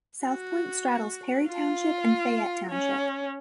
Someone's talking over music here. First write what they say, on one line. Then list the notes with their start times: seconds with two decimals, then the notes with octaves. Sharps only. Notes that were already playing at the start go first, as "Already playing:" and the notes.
South Point straddles Perry Township and Fayette Township.
0.25 F#4
1.48 F4
2.70 C#4